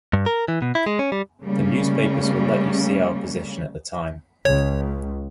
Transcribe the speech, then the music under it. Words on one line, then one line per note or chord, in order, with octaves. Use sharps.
The newspapers will let you see our position at the time.
G2
A#4
E3
B2
E4
G#3
C#4
G3
C#3 G3 A3 A#3 C#4
C#2 C#5